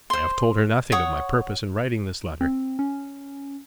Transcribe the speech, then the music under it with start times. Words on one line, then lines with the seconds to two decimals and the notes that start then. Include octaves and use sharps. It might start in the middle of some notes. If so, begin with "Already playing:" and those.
I have told her nothing of my purpose in writing this letter.
0.10 C5 C6
0.92 C#5 F#5 C#6 D#6
2.41 C4
2.79 C#4